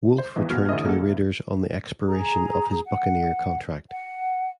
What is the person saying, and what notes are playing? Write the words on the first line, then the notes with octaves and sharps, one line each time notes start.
Wolf returned to the Raiders on the expiration of his Buccaneer contract.
C5
G#1 E2 E3 D#5
F1 B2 F#4 F6 G#6
A1 D3 A3 C#4 E4 D#5
G#3 A#3 F#4 A4
C#2 A2
G#4 A#5
F#5
F#5